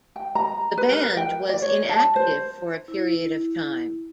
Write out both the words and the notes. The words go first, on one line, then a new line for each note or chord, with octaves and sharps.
The band was inactive for a period of time.
G5
A#5
B4
A#4
G5
D5
C#5
A5
C5
E4